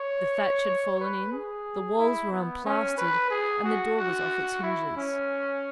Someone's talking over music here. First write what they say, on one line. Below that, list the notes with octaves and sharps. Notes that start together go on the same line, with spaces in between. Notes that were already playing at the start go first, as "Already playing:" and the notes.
The thatch had fallen in, the walls were unplastered, and the door was off its hinges.
Already playing: C#5
B4
G#4
E4
B3
C#4
B4
G#4
F#4
F#4
E4
C#4